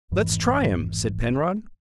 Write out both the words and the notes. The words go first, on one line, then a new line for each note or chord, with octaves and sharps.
"Let's try him," said Penrod.
A1 F2 G#2 E3